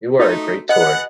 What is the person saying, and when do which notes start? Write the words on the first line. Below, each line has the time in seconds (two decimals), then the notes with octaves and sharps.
You are a great toy!
0.19 A3 D#4 F#4
0.69 G#4 B4 D#5 F#5